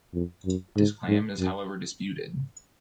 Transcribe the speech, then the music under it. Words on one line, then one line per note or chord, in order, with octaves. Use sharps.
This claim is however disputed.
F2
F#2
G#2
G#2
F#2